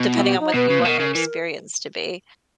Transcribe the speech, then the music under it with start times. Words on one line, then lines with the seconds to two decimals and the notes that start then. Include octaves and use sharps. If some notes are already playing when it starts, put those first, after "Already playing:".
depending on what you want your experience to be.
Already playing: B2
0.14 E4
0.24 G4
0.39 D#4
0.54 B2 B4
0.70 C#3
0.79 A#2
0.85 B2 A#4
1.00 C#3
1.15 E3 A#4